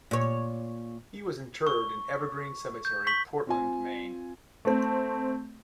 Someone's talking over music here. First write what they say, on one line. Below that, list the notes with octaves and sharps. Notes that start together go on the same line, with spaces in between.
He was interred in Evergreen Cemetery, Portland, Maine.
A#2 C#5
C#6
G6
C#6 B6 F#7
C4 F4 G#5
A3 C4